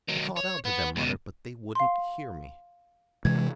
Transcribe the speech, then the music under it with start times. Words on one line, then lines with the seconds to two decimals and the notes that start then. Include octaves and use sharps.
"I called out to them, mother, but they wouldn't hear me."
0.08 D#3 F#3
0.36 C#5
0.65 B3
0.96 C#2 B2
1.75 F5 C6
3.25 C3 E3 G#3 G#6